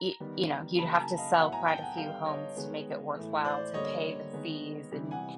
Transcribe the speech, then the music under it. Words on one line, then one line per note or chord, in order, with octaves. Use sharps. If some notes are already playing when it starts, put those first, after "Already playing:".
i you know, you'd have to sell quite a few homes to make it worthwhile to pay the fees and
Already playing: A#5
D#3 G3 B3
C#3 F#3 A#3 A5 B5
A5
G#5 A#5
D#5 F5
A2 F#3 B3 E5 F#5
G#5 A#5
G5 A5
F#5 G#5
D3 G3 B3 F5 G5
C#5 D#5
D#3 G#3 B3
A2 E3 A3
C5 D5
D3 G3 A#3 C#5 D#5
D#3 G#3 B3
C3 E3 G3
F#5 G#5